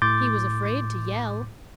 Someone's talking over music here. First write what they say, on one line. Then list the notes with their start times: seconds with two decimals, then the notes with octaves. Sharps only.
He was afraid to yell!
0.02 A2 C6 D6 G6 A6